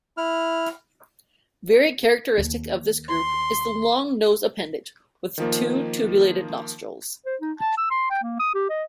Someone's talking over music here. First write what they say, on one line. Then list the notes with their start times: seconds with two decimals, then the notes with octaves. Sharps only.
Very characteristic of this group is the long nose appendage with two tubulated nostrils.
0.17 E4 F6
2.38 D#2
3.08 C6
5.38 D#3 F3 A#3
7.26 C5
7.41 D#4
7.59 A5
7.78 E6
7.90 C6
8.11 G5
8.23 A#3
8.40 D#6
8.54 G4
8.70 D#5